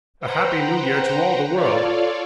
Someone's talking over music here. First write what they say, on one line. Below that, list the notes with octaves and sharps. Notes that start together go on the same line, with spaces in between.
A happy New Year to all the world!
B4 C5 F#5 G5 A#5
F4 A4 C#5 D5 F5